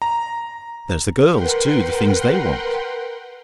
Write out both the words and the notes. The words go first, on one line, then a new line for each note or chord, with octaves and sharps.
There's the girls, too--the things they want!
A#5
A#4 B4 F#5 G5 C6